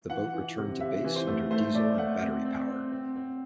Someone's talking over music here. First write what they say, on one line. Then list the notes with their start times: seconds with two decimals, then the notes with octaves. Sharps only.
The boat returned to base under diesel and battery power.
0.10 E3 F#5
0.33 E3
0.57 C3
0.80 C3 E5
1.04 E3
1.16 C5
1.27 A3
1.51 A3 C5
1.75 A3 D5
1.98 A3 F#5
2.21 C4
2.45 C4
2.68 C4
2.92 C4
3.16 C4